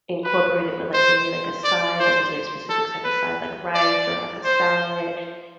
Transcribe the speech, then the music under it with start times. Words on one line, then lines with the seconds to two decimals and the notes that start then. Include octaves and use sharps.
incorporated with, like, maybe, like, a side? Like, is there a specific type of side like rice or, like, a salad?
0.24 B4
0.94 C5
1.64 D5
1.99 C5
2.69 A4
3.04 B4
3.74 D5
4.44 C5